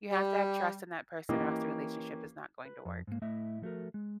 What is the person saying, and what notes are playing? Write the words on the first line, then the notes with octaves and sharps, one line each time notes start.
You have to have trust in that person or else the relationship is not going to work.
G3
E3 A#3 C#4 G4 D#5
B4
F2
G#2 A#3
A2 A3 E4 D#5 E5
F3 A3 F#4 A#4
G#3